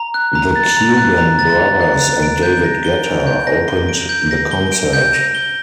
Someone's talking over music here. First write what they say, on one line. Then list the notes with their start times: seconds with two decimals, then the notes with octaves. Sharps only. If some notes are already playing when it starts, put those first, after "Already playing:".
The Cuban Brothers and David Guetta opened the concert.
Already playing: A#5
0.14 F#6
0.35 A#5
0.56 A6
0.77 A#5
0.98 F#6
1.18 A#5
1.39 A6
1.60 A#5
1.81 F#6
2.01 A#5
2.22 D7
2.43 G6
2.64 A#6
2.84 G7
3.05 D7
3.27 G6
3.47 A#6
3.68 G7
3.89 D7
4.09 G6
4.31 A#6
4.51 G7
4.72 D7
4.93 G6
5.14 A#6
5.35 G7